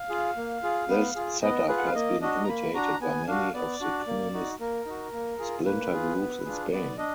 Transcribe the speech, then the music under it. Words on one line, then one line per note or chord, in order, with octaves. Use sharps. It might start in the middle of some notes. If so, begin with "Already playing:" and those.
This set-up has been imitated by many of the communist splinter groups in Spain.
Already playing: F5
F4 G#4
A#3
F4 G#4
B3
F4 G#4
B3 D#5
F4 G#4 B4
F#5
F5
A#3 D#5
D4 F#4 D#5
A#5
A#3 B5
D4 F#4 A#5
B3 G#5
D4 F#4 F5
B3 D5
D4 F#4
A#3
D#4 F#4
A#3 A#4
D#4 F#4
A#3
F4 G#4
A#3 B4
F4 G#4
B3
D4 F4 G#4
B3 D5
D4 D#5